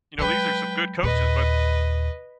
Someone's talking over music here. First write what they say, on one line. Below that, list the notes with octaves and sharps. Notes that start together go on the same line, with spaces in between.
You know, these are some good coaches, but
F#3 G#3 B4 G5
D#2 A#2 B4 D#5